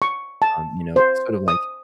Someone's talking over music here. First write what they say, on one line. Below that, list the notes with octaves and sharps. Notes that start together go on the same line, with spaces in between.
um, you know, sort of like,
C#6
A5
C5
D#6